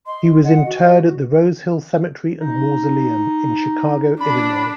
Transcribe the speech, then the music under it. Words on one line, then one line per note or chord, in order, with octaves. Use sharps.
He was interred at the Rosehill Cemetery and Mausoleum in Chicago, Illinois.
D#5 C6
F#5
F#4
D#4
D4 B5